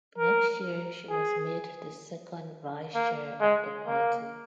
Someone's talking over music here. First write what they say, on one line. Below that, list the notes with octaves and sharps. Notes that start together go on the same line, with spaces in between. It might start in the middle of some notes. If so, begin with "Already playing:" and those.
Next year she was made the second vice chair of the party.
A#4
G#4
A#3
G#3
A#3